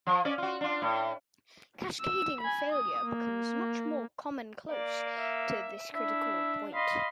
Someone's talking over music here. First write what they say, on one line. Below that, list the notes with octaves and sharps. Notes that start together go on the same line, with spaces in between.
Cascading failure becomes much more common close to this critical point.
F3
C#4 D5
F4 F#4
D4 F4
A2
E6
G#5 B5
D#6
A#3
A#3 D5
E5
D4 E4 E5
D#5 F5 B5 C6